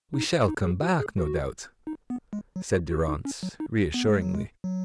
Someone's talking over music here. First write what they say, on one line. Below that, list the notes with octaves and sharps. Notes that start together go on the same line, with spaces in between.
"We shall come back, no doubt," said Durrance, reassuringly.
D#4
D#4
G#4
F#4
G#4
F#4
D#4
B3
G#3
F#3
F#4
F#4
D#4
C#4
F#3
D#4
B3
G#3
F#3
G#3
F#3